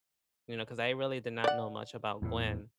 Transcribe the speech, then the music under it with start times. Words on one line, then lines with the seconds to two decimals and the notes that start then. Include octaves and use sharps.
you know, 'cause I really did not know much about Gwen,
1.44 D5 F#5
2.22 E2 A2